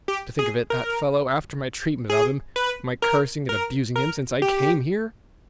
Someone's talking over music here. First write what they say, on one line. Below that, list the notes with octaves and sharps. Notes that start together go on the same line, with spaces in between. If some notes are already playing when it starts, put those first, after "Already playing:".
To think of it—that fellow, after my treatment of him—my cursing and abusing him since I came here!
G4
G#4
A#4
G#4
B4
A#4
A#4
A#4
G4